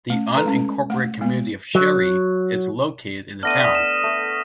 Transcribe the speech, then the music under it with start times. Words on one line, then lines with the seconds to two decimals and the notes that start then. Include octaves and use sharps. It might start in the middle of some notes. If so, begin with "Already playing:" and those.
The unincorporated community of Sherry is located in the town.
0.10 A3 C#4
0.34 A4 B4 A#5 C6
0.46 G#3 A3 C#4
0.90 A3 F#5
1.21 G#3 B3
1.75 F#3
3.43 A3 B3 D4 F6 A#6 D#7
3.60 D#6 B6
3.75 E7
4.03 A3 A4